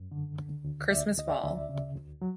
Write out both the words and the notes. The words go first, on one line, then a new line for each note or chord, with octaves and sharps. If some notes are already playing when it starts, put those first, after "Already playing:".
Christmas Vol.
Already playing: F#2
D3
D3
D2
D2 D5 E5
D2 D#5
D5 E5
D2
C#3
D2
F#3